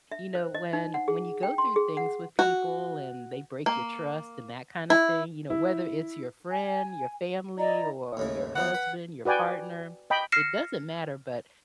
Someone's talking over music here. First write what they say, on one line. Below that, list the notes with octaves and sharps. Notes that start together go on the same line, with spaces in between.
you know, when when you go through things with people and they break your trust and that kinda thing, you know, whether it's your friend, your family, or your husband, your partner, it doesn't matter, but
E5
C5
D#5
D#4
F#5
G#4
G5
C6
G#4
F#5
F#4
A#3
E4
E4
G#5
E4 D5 D#5 A#5
D#2 A2 C#3
E3 F#3 B3 F#5
B4
F#4 B4 D5 G5 G#5
D#5 G5 B5
F6 A#6 C7 C#7 E7